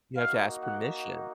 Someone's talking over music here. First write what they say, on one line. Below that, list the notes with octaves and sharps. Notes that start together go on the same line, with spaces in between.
You have to ask permission.
A#3 D#4 F#4 F5
F#5